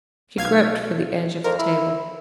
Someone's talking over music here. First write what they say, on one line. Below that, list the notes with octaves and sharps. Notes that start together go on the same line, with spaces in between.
She groped for the edge of the table.
B1 F5 G#6
F2 A#4
E4